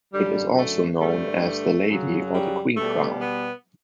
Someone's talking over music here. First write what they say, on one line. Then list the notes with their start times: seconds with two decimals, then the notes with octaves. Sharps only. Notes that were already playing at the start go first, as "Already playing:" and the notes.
It is also known as The Lady or The Queen crown.
0.13 F#2 D3 F#3 G3
0.57 A3
1.01 G2 D3 G3 A3
1.89 F#2 C#3 F#3
2.33 G3
2.77 B2 G3 A3
3.20 B3